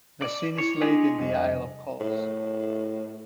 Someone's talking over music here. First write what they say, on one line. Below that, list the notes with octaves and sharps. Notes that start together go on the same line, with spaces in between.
The scene is laid in the isle of Kos.
D5
E4 C#5
G#3 D4 G4 G#4
C2 F2 D#5
A2